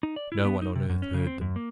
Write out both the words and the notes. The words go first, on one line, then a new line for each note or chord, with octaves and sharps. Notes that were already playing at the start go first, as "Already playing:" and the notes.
No one on earth heard them.
D#4
D5
E4
B3
D#4
C3
F#2
C#4
C#3
C4
F#2
A#3